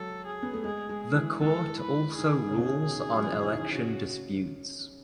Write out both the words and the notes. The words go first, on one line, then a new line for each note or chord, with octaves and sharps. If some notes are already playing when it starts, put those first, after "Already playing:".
The court also rules on election disputes.
Already playing: F#3 G#3 A4
G#4
B3
A3
G#3 G#4
G#3
G#4
E3
E3 A4
B4
D#3 G#4
C#3
B2
D#3
F#3
E3
D#3
C#3 F#4